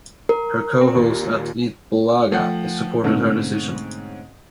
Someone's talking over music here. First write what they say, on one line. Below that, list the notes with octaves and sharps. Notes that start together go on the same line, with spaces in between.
Her co-hosts at "Eat Bulaga" supported her decision.
A#4
C4
D#2 A#2
F3 A3 F#5 G5
G#2 B2 D3 A3 C4 C#4